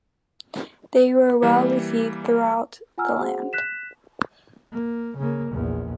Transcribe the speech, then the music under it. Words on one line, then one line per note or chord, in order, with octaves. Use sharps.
They were well received throughout the land.
E3 G3 A#3
F4 F#5 G#5 A#5 E6 F6
F#4 G#4 C5 F#5
F#6 B6 E7
A#3
C#3 A#3
A#1 E2